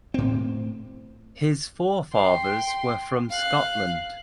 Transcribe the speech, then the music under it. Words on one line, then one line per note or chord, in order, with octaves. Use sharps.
His forefathers were from Scotland.
A2 C4
G5 C6
F5 F#6